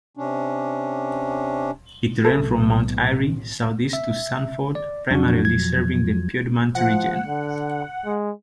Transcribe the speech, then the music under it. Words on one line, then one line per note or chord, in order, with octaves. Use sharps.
It ran from Mount Airy southeast to Sanford, primarily serving the Piedmont region.
C3 C#4 D4
B1 A2 A4
E5
D5
F2 F3 F#3 D4 F#4
G#6
F3 F#5
D3
G#3